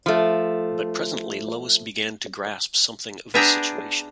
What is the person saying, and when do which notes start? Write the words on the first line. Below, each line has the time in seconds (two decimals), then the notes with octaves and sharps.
But presently Lois began to grasp something of the situation.
0.06 F3 A3
3.34 B3 D4 G#4 E5 G5 A#5